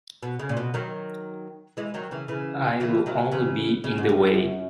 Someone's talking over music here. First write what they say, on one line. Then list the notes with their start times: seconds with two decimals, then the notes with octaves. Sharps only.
I'll only be in the way.
0.23 B2
0.39 C#3
0.49 A#2
0.57 B2
0.74 D#3 F#3
1.77 E3 G#3
1.94 D#3 F#3
2.11 C#3 E3
2.28 C#3 E3
2.80 C#3 E3
3.06 D#3 F#3
3.31 C#3 E3
3.84 C#3
3.98 G#2
4.09 F#2